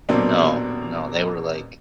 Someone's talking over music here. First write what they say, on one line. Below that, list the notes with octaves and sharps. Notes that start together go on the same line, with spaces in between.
No, no. They were, like
D#1 B2 F#3 A#3 C4 D4